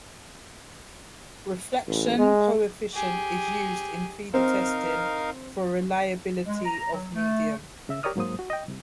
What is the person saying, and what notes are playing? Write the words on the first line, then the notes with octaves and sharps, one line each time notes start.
Reflection coefficient is used in feeder testing for reliability of medium.
A1
G#3
G4 G#4
C4 D#4 A#4 F5
G#3
A#5
F#3
A3
C#2 C#3 E5 E6
G4 A#4 C#5 D5 D#6 F6
G#2 F#3 A#3 C5 D#6
F#4
D#5 G5
C2 C3